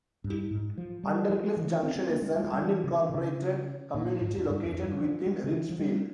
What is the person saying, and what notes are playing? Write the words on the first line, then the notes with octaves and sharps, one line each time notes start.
Undercliff Junction is an unincorporated community located within Ridgefield.
G2
G#2
F3
G3
F3
E3
C4
C4
A#3
G#3
G3
G#3
G3
E3
C#3
E3
C3
C#3
A#2
G#2
F2
G2
F2
G2
F3
G#3
C#3
E3
F3
G3